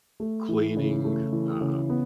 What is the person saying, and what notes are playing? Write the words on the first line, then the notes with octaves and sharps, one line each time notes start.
cleaning, um
A3
E3
C#3
A3
E3
C#3
B3